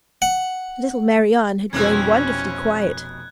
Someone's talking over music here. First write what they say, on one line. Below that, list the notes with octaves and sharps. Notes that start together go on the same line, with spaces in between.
Little Marianne had grown wonderfully quiet.
F#5
F1 B2 A#3 C4 C#4 E4 F#6 G#6